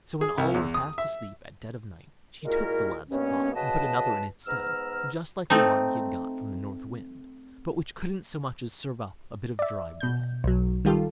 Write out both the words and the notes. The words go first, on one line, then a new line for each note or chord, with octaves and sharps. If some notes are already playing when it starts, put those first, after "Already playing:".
So, when all were fast asleep at dead of night, she took the lad's cloth, and put another in its stead, just like the one he had got from the North Wind, but which couldn't so much as serve up a bit of dry bread.
G#4
C2
E2
D#6
E5
A#2 G#3 E4 F#4 A#4
G2 D#3 A#3 B3 C#4
C#3 F#4 B4 D#5 A5
G#2 B3 A#5 E6 F6
A3 C4 D#4
D5 E5
B2 G6
B1 F#3
D#3 G3 F4 G4 A4